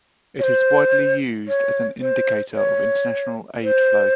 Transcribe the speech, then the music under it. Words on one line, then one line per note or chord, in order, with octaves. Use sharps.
It is widely used as an indicator of international aid flow.
C#5
C5
C#5
C5
C#5
C5